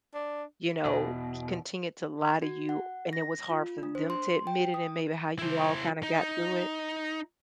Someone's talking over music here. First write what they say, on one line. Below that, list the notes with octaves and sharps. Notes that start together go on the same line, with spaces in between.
you know, c continued to lie to you, and it was hard for them to admit it and maybe how you all kinda got through it?
D4
E2 B2
F#4
F#5
A#6
F4
D4
C5
C6
G5
D#6
E4 C5
D#4